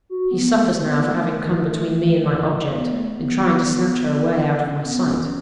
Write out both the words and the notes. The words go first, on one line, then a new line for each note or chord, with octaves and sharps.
He suffers now for having come between me and my object--in trying to snatch her away out of my sight.
F#4
B3
A3
B3
A3
B3
A3
B3
C#4
B3
C#4